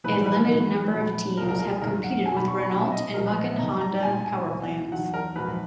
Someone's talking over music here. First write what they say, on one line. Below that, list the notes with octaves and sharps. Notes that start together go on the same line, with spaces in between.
A limited number of teams have competed with Renault and Mugen-Honda powerplants.
A#1 G#2 E3 B4
B4
E2 D#3 F#3
A#1 A#2 F#3
C#2 B2 F#3 A#4
A#4
A#4
G#4
G#1 F#2 D#3 A#4
F#5
B1 B2 F#3 G#5
B5
C#6
B5
B1 A#2 F#3 B5
E5
D#5
A#1 A#2 F#3 A#4
B4
D#5
E5
G#1 F#2 C#3 A#5
A#5
B1 A#2 F#3 G#5
G#5
C#2 B2 F#3
E2 D#3 F#3 F#5
A#4
A#1 G#2 D#3 F#3 B4